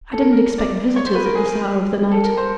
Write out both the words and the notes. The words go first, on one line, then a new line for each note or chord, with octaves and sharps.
"I didn't expect visitors at this hour of the night."
A4
A#4
A#4
D5
C#5
C5
B4
A#4
G#4
A4
A#4
C5